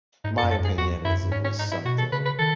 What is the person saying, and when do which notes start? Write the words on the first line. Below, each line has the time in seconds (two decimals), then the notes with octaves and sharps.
My opinion is it was something
0.24 G#2 D#4
0.37 A4
0.42 F#2
0.51 A4
0.60 F#2 G#4
0.78 E2 F#4
1.05 F#2 E4
1.23 F#2
1.32 G#2 C#4
1.44 C#4
1.59 D#4
1.72 E4
1.85 B2 F#4
1.98 A4
2.12 C#3 B4
2.26 B4
2.39 D#3 A4